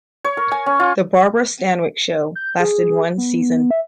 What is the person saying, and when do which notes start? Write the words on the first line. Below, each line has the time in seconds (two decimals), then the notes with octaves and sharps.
"The Barbara Stanwyck Show" lasted one season.
0.24 C#5
0.37 A#4
0.52 G#5
0.66 C#4
0.80 F4
2.35 G6
2.60 G#4
3.18 B3
3.71 E5